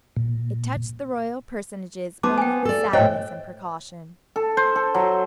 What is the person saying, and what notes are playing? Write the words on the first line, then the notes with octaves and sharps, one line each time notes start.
It touched the royal personages only with sadness and precaution.
A#2
B3 D#4 C5 A5 D6
G5 G#5
A4 D5
A2 C5 C#5 D#5 G5
A4
C5
A4
F#3